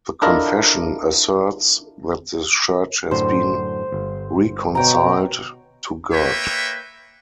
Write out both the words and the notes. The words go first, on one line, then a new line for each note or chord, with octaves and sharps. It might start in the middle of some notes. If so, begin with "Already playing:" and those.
The confession asserts that the Church has been reconciled to God.
D4 E4 F4 A4 A#4 D#5
F#2 A2 D3 C5
G1
B2 C#5 G5 A#5
A#3 B4 C#5 E5 G5